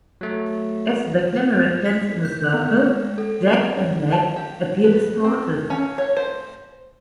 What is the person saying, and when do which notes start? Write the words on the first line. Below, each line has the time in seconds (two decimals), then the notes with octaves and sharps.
As the camera pans in a circle, Jack and Meg appear distorted.
0.21 F#3 A3
1.85 B6
2.25 G6
2.53 B3
2.77 G#3
3.18 A4
4.12 A5
4.36 G4
4.84 B4
5.24 C4
5.70 C#4
5.98 C#5
6.17 C5